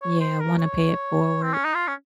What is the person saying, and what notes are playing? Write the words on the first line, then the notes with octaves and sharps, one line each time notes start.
Yeah, wanna pay it forward.
C#5
C5
A#4
C#5
C4
C#4
D#4
F4
C#4